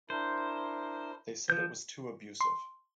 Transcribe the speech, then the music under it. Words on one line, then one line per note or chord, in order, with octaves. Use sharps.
They said it was too abusive.
D4 E4 A#4 C5
F3 G6
C6